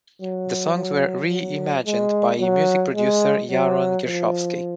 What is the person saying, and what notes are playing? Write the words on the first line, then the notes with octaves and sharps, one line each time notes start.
The songs were reimagined by music producer Yaron Gershovsky.
F#3
F#3
F#3
G#3
F#3
G#3
F#3
F3